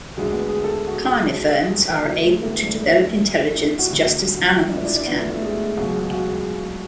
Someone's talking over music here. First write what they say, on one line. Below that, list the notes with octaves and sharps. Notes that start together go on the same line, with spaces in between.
Carniferns are able to develop intelligence just as animals can.
D2 D3 G#3
B3
G#4
A4
F#4
D2 D3 E4
A3
G#3
B3
D4
D4
D4
E4
E4
F#4
E1 D2 D3
F#4
E4
D4
E4
D4
D4
B3
A3
A3
G#3
A3
G#3
C#2 B2 F#3
G#3
G#3
F#4